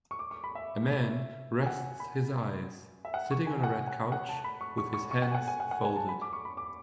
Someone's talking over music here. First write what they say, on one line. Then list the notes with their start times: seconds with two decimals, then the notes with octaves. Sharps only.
A man rests his eyes, sitting on a red couch with his hands folded.
0.11 C#6
0.19 D6
0.31 C#6
0.44 B5
0.55 E5
1.62 G#5
1.66 F#5
2.00 B5
3.05 E5
3.14 F#5
3.31 C#6
3.47 G#5
3.64 F#5
3.87 F#5
4.12 F#5
4.29 A5
4.44 B5
4.61 C#6
4.78 C#6
4.94 C#6
5.11 C#6
5.22 F#5
5.31 G#5
5.35 F#5
5.48 G#5
5.60 F#5
5.71 F#5
5.85 G#5
5.96 A5
6.09 B5
6.22 D6
6.33 C#6
6.45 B5
6.57 D6